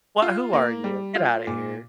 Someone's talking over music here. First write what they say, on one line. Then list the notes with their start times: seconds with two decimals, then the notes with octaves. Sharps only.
What who are you? Get out of here."
0.22 F4
0.53 A#3
0.84 G3
1.15 F4
1.47 A#2